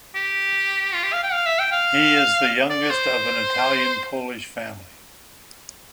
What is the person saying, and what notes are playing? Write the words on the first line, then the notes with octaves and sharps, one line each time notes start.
He is the youngest of an Italian-Polish family.
G4
F4
G4
F5
G5
F5
E5
G5
F5
D5
C5